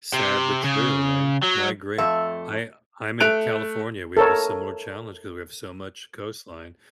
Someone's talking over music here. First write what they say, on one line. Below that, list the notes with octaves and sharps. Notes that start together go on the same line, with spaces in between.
Sad but true, right? No, I agree. I I'm in California, we have a similar challenge 'cause we have so much coastline.
C3
C#3
F#3
F2 A3 E5
A3 F#6 D7 F7
A4 A#4 C#5